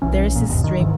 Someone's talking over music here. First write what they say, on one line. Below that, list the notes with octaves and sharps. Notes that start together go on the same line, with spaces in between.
there's this stream
B1 E3 C#4
A#2
G1 D#2 B2
D#3
G#2 D#3 E3